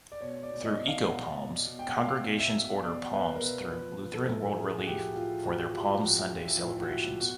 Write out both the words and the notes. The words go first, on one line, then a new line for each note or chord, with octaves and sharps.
Through Eco-Palms, congregations order palms through Lutheran World Relief for their Palm Sunday celebrations.
D5
B2 C#5
D5
B2
D#5
B2
F5
B2 F#5
B2
B2
G5
F#5
B2 F5
B2
E5
B2
B2 D5
B2 B4
A#4
B2 B4
F3 B4
F3
A4
A2
A2 G#4
F#4
F3 G4
F3 F4
A2 F#4
F#4
A2 G4
F3 F#4
F3 F4
E4
F4
A2
F4
F#4
A2 F4
B2 F#4